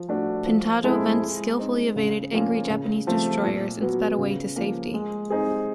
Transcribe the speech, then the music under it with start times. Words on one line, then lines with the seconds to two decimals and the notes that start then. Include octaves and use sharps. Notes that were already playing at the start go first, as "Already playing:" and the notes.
"Pintado" then skillfully evaded angry Japanese destroyers and sped away to safety.
Already playing: F3
0.09 A3 D4 F#4
0.46 F3
0.84 G#3 C4 E4 A4
1.21 G#3
1.58 C4 D#4
1.96 C#3
2.33 F3 A#3 C#4 F4
2.70 C#3
3.07 F3 A3 C4
3.44 A#2
3.81 F#3 B3
4.19 C#3
4.56 F3 A#3
4.94 G#3
5.30 C4 D#4 G#4